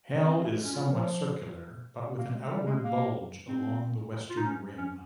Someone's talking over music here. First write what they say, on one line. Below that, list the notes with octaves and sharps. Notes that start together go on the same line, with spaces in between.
Hell is somewhat circular but with an outward bulge along the western rim.
C4
C4
A#3
G#3
C#4
F4
C#4
F3
A#3
G#3
G3
G#3
A#3
C4
F4
D#4
C#4
C#4